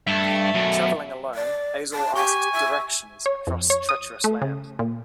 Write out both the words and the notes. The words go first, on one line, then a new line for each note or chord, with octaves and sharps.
Travelling alone, Azel asks directions across treacherous land.
G2 E5 A5
F#2 B2
D5
A5
G4 G#5 C#6
E5
C#5
F2
C#5
D#6
A3
C#3
A#2